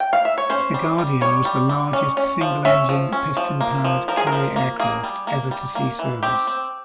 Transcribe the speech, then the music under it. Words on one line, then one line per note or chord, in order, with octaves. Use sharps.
The Guardian was the largest single-engine piston-powered carrier aircraft ever to see service.
G5
F5
E5
C#5
C#4 C5
G3
G3
G3 C#5
G3
G3
C#4
C#4
F3
C#4 E5
F3
C#4
F3
A#3
F3
F3 A#4
G#4
A#4
F3
A#3
A#3 G#4
G3
A#3
G3
A#3
E3
C4 G4
C4